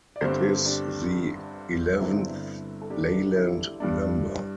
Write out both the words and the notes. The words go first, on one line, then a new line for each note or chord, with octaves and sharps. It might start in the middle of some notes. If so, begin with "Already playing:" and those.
It is the eleventh Leyland number.
D5
G1 G2 D3 G3 C4 G4 C5
D4 G4
G1 G2 D3 C4 E4
A4
D4 G4
E4
G2 G3 D4